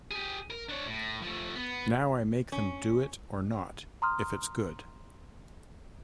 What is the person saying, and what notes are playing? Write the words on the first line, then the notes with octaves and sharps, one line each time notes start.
Now I make them do it or not, if it's good.
G4 G#4
A#4
D4 C#5
A2
F3 A3
B3
C#4
A#5 C6 D#6 F6